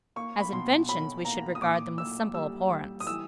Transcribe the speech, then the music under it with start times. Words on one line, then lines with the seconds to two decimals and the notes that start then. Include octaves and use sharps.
As inventions, we should regard them with simple abhorrence.
0.16 A#3 C#6
0.40 B5
0.52 B2 C6
0.89 F#3 B5
1.25 A#3 A#5
1.55 D#6
1.61 A#2 D6
1.97 A#2 E6
2.34 G3 E6
2.71 G3
3.00 D#6
3.06 E3 E6